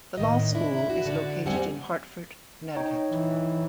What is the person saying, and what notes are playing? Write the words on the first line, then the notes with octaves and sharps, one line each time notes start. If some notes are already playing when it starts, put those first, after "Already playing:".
The law school is located in Hartford, Connecticut.
A2 D#3 D#5
D4 E4
F#4
D3 F#4 D5
E2 G3 C4 F#5 G#5
D#4 C#5 G5
E3